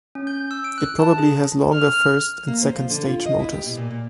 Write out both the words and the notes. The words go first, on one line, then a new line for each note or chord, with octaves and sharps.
It probably has longer first and second-stage motors.
C#4
G6
E6
D7
F#6
A5
G#4
F6
A#3
C5
F3
D3
F4
D#5
E4
G4
B2
A#2
A#2